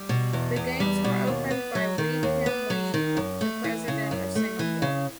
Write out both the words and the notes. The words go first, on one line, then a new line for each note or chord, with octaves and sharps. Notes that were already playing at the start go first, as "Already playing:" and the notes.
The games were opened by Wee Kim Wee, the President of Singapore.
Already playing: G3
B2
E2
E2
G3
B2
D#2
B3
F#3
D#3
D#2
B3
F#3
D#3
F#2
A3
E3
C#3
F#2
A3
E3
C#3